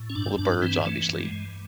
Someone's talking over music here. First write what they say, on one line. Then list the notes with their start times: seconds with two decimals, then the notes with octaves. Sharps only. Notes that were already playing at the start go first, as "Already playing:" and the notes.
well the birds, obviously,
Already playing: A2
0.10 C#4
0.15 G2 D4
0.38 G2 D4
0.62 E3 C4
0.85 E3 A3
1.09 G2
1.21 G#3
1.32 G2